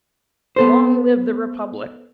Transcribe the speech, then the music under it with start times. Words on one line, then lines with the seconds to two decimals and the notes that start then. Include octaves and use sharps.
Long live the Republic!
0.56 B3 A4 C5